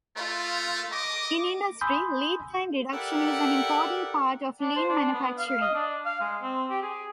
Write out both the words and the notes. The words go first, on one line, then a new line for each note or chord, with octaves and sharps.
In industry, lead time reduction is an important part of lean manufacturing.
A3 F4
D#5 D6
G#5 B5 C6 D#6 E6 G6
E4 G4 A4 A#4 D5 F#5
D4
C5
D4
B3
F5
D#5
D4
F5
G#3
C4
G4
G#4